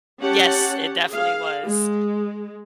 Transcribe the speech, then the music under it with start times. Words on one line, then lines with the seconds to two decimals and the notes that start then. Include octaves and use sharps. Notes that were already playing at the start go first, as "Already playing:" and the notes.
Yes, it definitely was.
0.20 C#4 G4 F#5 A5
1.09 G#4 F5
1.66 G#3